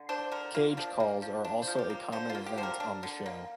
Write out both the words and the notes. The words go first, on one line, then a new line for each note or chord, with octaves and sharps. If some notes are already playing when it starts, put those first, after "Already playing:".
"Cage Calls" are also a common event on the show.
Already playing: D3
D4 C5
D3 A#4
A#3 F4
F3 D4
A#3
F3
D4
C5
F3
G4
A#3
D3 C5
F4
A#3
G4
D3 C5
A#4
D4
D3
A#3